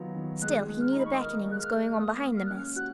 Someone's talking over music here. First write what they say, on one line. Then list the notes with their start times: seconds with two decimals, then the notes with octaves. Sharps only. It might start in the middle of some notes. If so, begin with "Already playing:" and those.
Still he knew the beckoning was going on behind the mist.
Already playing: D#3 F#3 B3 F4
0.15 D#3
0.42 G#3 F#6
0.69 G#3
0.81 F6
0.91 A#5
0.95 D#4 B5
1.05 C#6
1.13 D#6
1.20 A#4 F6
1.46 G#3
1.51 F#6
1.59 F6
1.72 G#3
1.87 F6
1.99 A#3 D#6
2.24 A#3
2.37 F6
2.46 F#6
2.51 C#4 F6
2.76 F#4 F#6